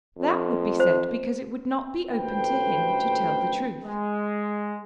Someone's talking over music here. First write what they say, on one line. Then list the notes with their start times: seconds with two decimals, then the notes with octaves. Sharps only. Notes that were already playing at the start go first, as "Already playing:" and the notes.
That would be said because it would not be open to him to tell the truth.
0.18 F2
0.80 C5
2.10 A1 D2 B4 C5 G5
3.83 G#3